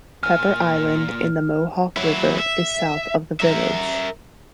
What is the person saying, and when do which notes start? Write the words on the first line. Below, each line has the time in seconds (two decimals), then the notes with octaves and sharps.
Pepper Island in the Mohawk River is south of the village.
0.23 A#2 G#5 F6
1.96 F#3 E4
2.39 E5
3.40 A#4 E5